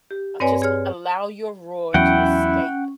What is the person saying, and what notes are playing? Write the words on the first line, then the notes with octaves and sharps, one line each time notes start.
just allow your roar to escape.
G4
G2 C4 B4 C#5 D5 G#5
G#4 C#5 F6
E2 F#3 C#4 E4 F#5 G5